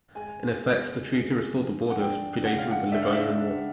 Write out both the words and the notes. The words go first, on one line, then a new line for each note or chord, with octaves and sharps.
In effect, the treaty restored the borders predating the Livonian War.
G#3 G#5
G#3
G#3
F3
F#5
D4 G5
C#3 F#5
F5
F#5
D4 E5
F5
E5
D4